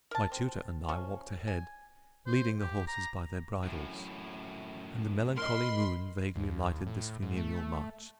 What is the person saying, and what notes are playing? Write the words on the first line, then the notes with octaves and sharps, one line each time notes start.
My tutor and I walked ahead, leading the horses by their bridles, and the melancholy moon vaguely lighted this funereal march.
A#4 A5
C4
F3 C#4
G#5
C5
G4
A#5
F#2 A2
A#4 D#5 B5 C6
D#2
A2
G#2
A3